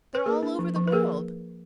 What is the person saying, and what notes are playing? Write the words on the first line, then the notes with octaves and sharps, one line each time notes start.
They're all over the world.
B4
A#3 G#4 A#4
D4
F3
F3
B4
A#3 G#4 A#4